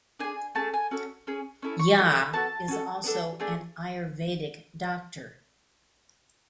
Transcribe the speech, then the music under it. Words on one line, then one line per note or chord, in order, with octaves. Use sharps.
Jha is also an Ayurvedic Doctor.
D4 G#4 G#5
A3 C#4 G#4 A5
G#5
C#4 F#4 A4
C#4 G#4
C#4 E4 A4
C#6
A3 C#4 E4 B5
B5
B3 F#4 A4 A5
C#4 F#4 A4
B3 D4 A4
A3 D4 G#4